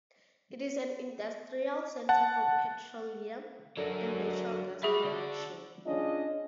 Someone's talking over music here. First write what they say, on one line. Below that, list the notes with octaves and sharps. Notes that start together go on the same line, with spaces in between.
It is an industrial center for petroleum and natural gas production.
F#5 A5
D3 F#3 A#4
G3 F#4 G#4 E5 B5
D3 D5
C#4 D4 F4 G#4 D#5